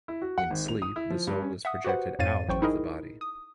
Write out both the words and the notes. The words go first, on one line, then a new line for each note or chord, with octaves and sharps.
In sleep the soul is projected out of the body.
E4
F#4
F#5
G#1
F7
D#6
E4
F3
G2
C#4
E5 F#5 D#6
F#4 G4 B4 C5 F#5
F2 G#2 C#5 F5 A6 D#7
A1 F#3 C5 G5 C#6
D#4 E4 G#4 A#4 D#5
D#6